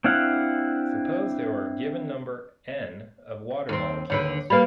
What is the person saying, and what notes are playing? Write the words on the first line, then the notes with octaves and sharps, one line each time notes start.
Suppose there are a given number "N" of water molecules.
C4 D4 E4 F5 F#5
D#2 C4
D#2 D3 B4 C#5
G3 A#3 B4 D5 B5